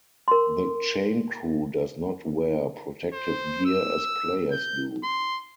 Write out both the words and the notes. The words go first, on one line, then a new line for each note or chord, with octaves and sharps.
The chain crew does not wear protective gear as players do.
A#4 C6
C5
E6
G6
C6